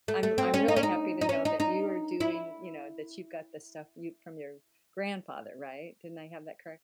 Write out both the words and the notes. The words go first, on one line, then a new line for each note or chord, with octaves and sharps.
I'm I'm really happy to know that you are doing, you know that you've got the stuff you from your grandfather, right, didn't I have that correct?
A3
A3
C4
C#4
D#4
C#4
D#4
D#4
C#4
D#4
D#4
E4